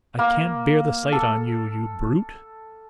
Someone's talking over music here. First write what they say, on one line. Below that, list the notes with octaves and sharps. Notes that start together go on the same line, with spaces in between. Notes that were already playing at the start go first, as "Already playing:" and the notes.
I can't bear the sight on you, you brute.'
A#3
A4